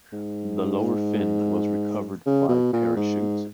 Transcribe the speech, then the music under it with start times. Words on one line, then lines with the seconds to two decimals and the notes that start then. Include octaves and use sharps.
The lower fin was recovered by parachute.
0.12 G#2
2.26 C#3
2.49 B2
2.73 A#2
2.97 G#2